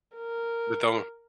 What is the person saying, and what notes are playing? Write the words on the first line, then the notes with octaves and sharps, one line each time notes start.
but don
A#4